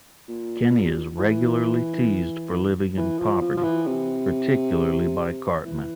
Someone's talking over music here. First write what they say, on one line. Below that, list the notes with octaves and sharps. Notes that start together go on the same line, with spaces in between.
Kenny is regularly teased for living in poverty, particularly by Cartman.
A#2
E3
E3
F3
F3
F3
E3
C3
E3